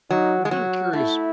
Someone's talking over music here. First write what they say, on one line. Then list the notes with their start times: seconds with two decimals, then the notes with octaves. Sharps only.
I'm kinda curious.
0.10 F#3 D#4
0.45 G#3
0.51 F#3
0.93 A3 E4